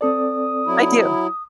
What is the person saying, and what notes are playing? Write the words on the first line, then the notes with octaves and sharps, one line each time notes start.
I do.
C4 A4 D5 D#6
F#3 E4